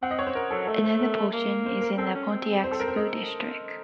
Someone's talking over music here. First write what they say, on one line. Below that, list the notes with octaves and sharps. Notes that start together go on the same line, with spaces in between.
Another portion is in the Pontiac School District.
C4 F#5
D#5
C#5
C5
A#4
F#3 A4
A3 A4
C5
A#4
A#3
C5
A#4
C4 A4
C#4
C4
C5
A4
A#4
C5
D#5